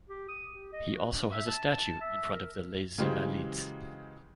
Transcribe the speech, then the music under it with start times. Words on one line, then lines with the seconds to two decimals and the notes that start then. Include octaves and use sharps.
He also has a statue in front of the Les Invalides.
0.09 G4
0.29 D#6
0.53 G4
0.73 D#5
0.92 F#4
1.13 D4
1.32 E5
1.47 A5
2.01 E5
2.32 A#4
2.98 C#3 E3 F#3 G#3 G4 C5